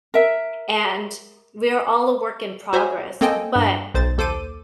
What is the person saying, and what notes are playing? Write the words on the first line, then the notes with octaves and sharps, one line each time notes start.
and we are all a work in progress, but
A#4 E5
F#4 C5 C#5 E5 G#5
A#3 C4 A4 D#5 G5 G#5
G2
B1 C5 A6
D#2 A4 C5 D6 D#7